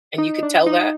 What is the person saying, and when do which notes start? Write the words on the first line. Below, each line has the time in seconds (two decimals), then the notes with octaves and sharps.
and you could tell that?
0.18 D#4
0.43 D4
0.66 D#4